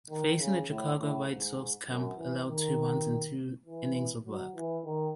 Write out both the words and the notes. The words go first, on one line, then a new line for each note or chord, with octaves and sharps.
Facing the Chicago White Sox, Camp allowed two runs in two innings of work.
D#3
C#3
A2
A2
G#2
F#2
E3
D#3
E3
F#3
E3
D#3